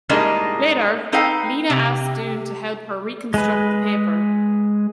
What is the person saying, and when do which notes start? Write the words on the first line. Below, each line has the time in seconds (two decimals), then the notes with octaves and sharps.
Later, Lina asks Doon to help her reconstruct the paper.
0.09 A2 G3 G#3 A#3 D4 D#4
1.12 C4 D#4 A4 B4 F5 G5
1.70 C3
3.34 G#3 G#4 B4